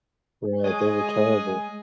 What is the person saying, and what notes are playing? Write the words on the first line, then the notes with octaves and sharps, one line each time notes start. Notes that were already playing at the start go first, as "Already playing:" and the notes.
Right. They were terrible.
G#3 G#4 C#5 D#5 G#5